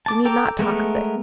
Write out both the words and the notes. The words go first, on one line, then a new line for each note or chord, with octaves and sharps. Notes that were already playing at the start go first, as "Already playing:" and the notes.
You need not talk of this.
A5 D6
A4 G5 A#5 D6
G#3 A3 B3 A#4